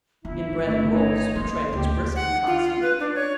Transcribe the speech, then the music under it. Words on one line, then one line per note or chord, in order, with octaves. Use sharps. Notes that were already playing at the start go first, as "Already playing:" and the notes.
In bread and rolls her trade was brisk and constant.
G1 E4
A3
D#4 C#5
A#3 C6
D2 G4
F#5
F4
F4
B4
D4
C#5